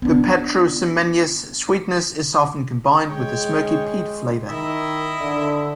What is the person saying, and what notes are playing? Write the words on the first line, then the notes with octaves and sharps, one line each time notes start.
The Pedro Ximenez sweetness is often combined with a smoky peat flavor.
B3 D4
G#3 C#5 G5
D#3 E4 D#5 E5
D3